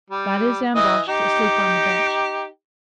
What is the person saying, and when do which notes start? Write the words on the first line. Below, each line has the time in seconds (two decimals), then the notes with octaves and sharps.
That is Ambrosch, asleep on the bench.
0.10 G3
0.75 E3 D#5 D#6
1.08 D#4 G4